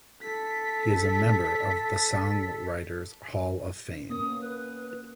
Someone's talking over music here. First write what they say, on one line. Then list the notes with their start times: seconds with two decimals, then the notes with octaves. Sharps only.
He is a member of the Songwriters Hall of Fame.
0.21 A4 B6
4.10 A#3 B3 C#4 D#6
4.41 B4